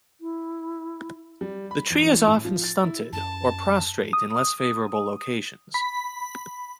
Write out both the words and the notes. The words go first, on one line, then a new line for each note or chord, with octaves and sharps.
The tree is often stunted or prostrate in less favorable locations.
E4
G3
B5
E2
E3
A2
F3
A6
E4
F#2 A5
D#6
B5